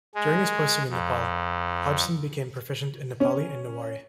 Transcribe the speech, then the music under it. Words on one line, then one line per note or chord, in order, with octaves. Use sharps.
During his posting in Nepal, Hodgson became proficient in Nepali and Newari.
G#3
F2
C#4